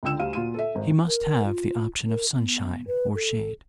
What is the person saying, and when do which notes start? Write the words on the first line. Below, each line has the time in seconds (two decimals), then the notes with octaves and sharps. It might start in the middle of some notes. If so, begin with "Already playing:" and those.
He must have the option of sunshine or shade.
0.03 C#2 D3 F4 G5 E6 E7
0.19 D2 G3 F5 D#7
0.33 A#2 F4 F#4 D#7
0.54 A4 E5
0.75 G#1
1.07 A#4
1.45 F4
2.08 A#4
2.33 B3
2.87 B4
3.15 A4